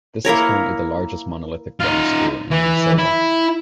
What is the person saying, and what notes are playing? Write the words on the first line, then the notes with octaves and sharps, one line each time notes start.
This is currently the largest monolithic dome school in Minnesota.
A#3 E4 A#4 C#5
D#4 F4
E3
E4